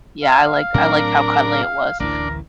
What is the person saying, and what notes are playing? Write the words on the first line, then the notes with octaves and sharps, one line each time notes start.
Yeah, I liked I liked how cuddly it was.
F5
A2 F#3 C4 D4 A#4
F5
A1 D2 E3 D4 A#4